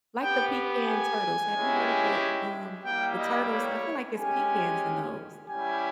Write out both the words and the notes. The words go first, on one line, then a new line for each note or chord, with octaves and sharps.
like the pecan turtles, have you heard of the, um, the Turtles? I feel like it's pecans in those.
B3 G4 G5
G#5
G#3 C#4 E4 G4
G3 A#3 E4 G4 G5
D#5
C#5
G#3 C#4 G4 G#5
G3 C#4 E4 G4 G#5